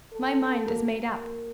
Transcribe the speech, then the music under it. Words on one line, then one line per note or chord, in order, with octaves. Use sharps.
My mind is made up.
A4
A#3 F#4 A#4